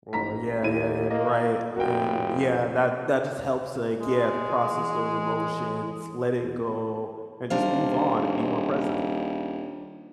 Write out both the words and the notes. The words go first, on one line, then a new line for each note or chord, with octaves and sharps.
Or yeah yeah yeah, you're right, and, yeah that that just helps, like, yeah to process those emotions, let it go, and just move on, and be more present.
A1 G#2 A#5 B6
D#2 E4 D#7
A#3 D#5
F1 F#4 A#4 G5
G#3
E3
E2
D#1 D4 C5 F5